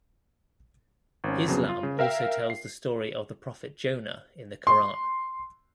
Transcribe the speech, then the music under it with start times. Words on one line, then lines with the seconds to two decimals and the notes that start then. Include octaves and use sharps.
Islam also tells the story of the Prophet Jonah in the Koran.
1.24 G#1 C#4
1.48 F2 C#3 F#3 B3
1.69 F4
1.83 C#3
1.99 A#4 E5 F5 G5
2.50 C7
4.67 C6